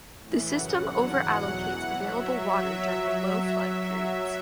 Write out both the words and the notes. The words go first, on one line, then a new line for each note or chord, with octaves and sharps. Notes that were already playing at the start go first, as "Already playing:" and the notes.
This system over-allocates available water during low flow periods.
A2 E3
F#2 C#3 E3 F#5
E2 D3 F#3 F#5
G#2 E3
E2 B2 F#3 F#5
F#2 E3
G#2 F#3 E5